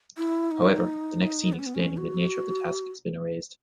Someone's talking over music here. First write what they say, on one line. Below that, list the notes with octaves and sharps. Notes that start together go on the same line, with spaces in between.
However, the next scene explaining the nature of the task has been erased.
E4
D#4
B3
C#4
B3
C#4
F#4